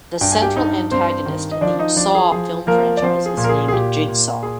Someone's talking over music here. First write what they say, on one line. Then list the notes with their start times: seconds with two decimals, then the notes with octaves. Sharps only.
The central antagonist in the "Saw" film franchise is named Jigsaw.
0.21 G2 G5
0.32 G#5
0.42 G4 G5
0.56 G2 D#4 D#5
0.91 G2 C4 C5
1.26 D#3
1.51 D#5
1.61 F3 D4 D5
1.79 D#4 D#5
1.96 F3 D4 D5
2.15 G#4
2.32 F3 G#4
2.67 F3 A#3 A#4
2.97 D5
3.02 F3 C4 C5
3.26 G#4
3.37 A#2
3.44 A#4
3.49 G#4
3.68 G#4
3.72 A#2 G4
4.08 A#2
4.43 G#4